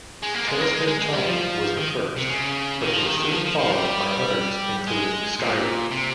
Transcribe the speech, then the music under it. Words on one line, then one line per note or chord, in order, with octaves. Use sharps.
"Tailspin Tommy" was the first, but it was soon followed by others, including "Skyroads".
G#3
A#3
G#3
A#3
G#3
G#3
G#3
G3
F3
D#3
C3
C#3
D#3
F3
D#3
D#3
F3
F3
F3
G3
G#3
A#2
C3